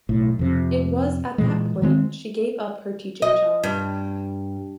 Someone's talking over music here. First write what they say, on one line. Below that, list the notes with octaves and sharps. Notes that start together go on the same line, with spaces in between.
It was at that point she gave up her teaching job.
B1 A2
F2 C3
A#2 E3 G#3
D#3 G#3 A#3 C4
D#5
G2